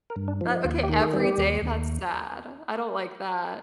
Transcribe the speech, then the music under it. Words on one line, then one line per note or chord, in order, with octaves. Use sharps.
but, okay, every day, that's sad. I don't like that.
A#4
G2
D4
F3
D#4
D#2 F4
G4
D#3
G#4
G3
G4
D#2
D#2